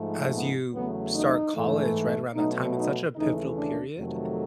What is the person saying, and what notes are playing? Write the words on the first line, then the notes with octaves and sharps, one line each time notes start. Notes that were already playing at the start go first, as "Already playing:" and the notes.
as you start college right around that time, it's such a pivotal period,
Already playing: G#2 F3 A3
B3
E2 C#3 F#3 A3 B3
D#4
G#2 E3 A3
B2 F#3 A3 D#4
D#4
D#2 C#3 E3 A3 D#4
D4
F2 C3 D#3 F#3 A3